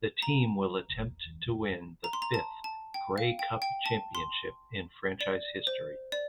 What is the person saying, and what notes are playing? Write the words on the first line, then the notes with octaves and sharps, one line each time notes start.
The team will attempt to win the fifth Grey Cup championship in franchise history.
A#5
A#5
C6
A#5
A5
A5
G5
F5
G5
G5
A5
C6
D5
C5
D5